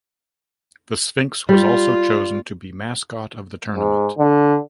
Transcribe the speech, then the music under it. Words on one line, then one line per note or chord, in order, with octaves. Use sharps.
The sphinx was also chosen to be mascot of the tournament.
G3 F4
G#2
D3